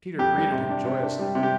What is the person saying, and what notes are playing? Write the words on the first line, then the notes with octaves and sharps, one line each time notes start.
Peter greeted him joyously.
F2 G4
G3
C3
D4
C3
D4
G3
C3
G4